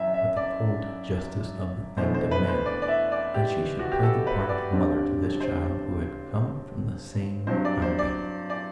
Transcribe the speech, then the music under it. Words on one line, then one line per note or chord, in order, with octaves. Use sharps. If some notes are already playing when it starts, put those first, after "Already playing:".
But the cold justice of the thing demanded that she should play the part of mother to this child who had come from the same convent.
Already playing: F#1 F#2 E3 E5
E5
D5
E2 B2 A3 D4 C5
C5
B4
C5
D5
D5
E5
D5
G4
F#4
G4
A4
B4
D5
G1 G2 D3 G3 C4
C5
G2 F#3 C4 C5
D5
C5
D5
D5